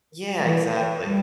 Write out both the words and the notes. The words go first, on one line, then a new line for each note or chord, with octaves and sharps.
Yeah. Exactly.
G3
E3
G3